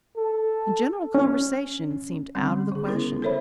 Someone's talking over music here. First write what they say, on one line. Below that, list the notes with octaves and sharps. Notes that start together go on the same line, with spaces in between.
And general conversation seemed out of the question.
A4
C#4
D3 G3 C4 C#4
C#3 G#4
B3 C#4 E4 A#4
A4 A#4 C5 C#5 E5 B5